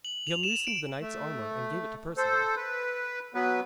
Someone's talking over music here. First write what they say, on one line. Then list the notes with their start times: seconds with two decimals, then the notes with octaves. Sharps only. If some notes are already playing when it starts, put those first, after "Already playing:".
He unloosed the knight's armour and gave it to Perceval.
0.05 F#7
0.27 F7
0.43 E7
0.67 D7
1.02 A3
2.17 A4 C5
2.56 B4
3.34 F#3 B3 B4